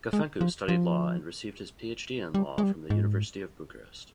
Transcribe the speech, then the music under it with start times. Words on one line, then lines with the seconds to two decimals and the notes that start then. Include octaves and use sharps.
Gafencu studied law and received his Ph.D. in law from the University of Bucharest.
0.13 G#3
0.41 F3
0.68 F3
2.34 G3
2.58 G#3
2.63 G3
2.90 G#2